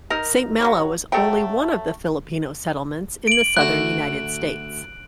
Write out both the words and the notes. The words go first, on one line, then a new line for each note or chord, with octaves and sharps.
Saint Malo was only one of the Filipino settlements in the Southern United States.
D#3 D#4 A#4
F#3 G3 C#5
F#3 A3 A4 G5
D7 F#7
D2 D3 F#4 F#6